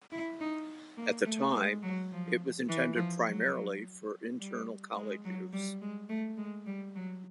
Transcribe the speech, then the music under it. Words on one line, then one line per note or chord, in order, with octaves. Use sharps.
At the time, it was intended primarily for internal college use.
E4
D#4
A#3
A3
G#3
F#3
F3
E3
F3
F#3
G3
G#3
F#3
G3
G#3
A3
G#3
G3
F#3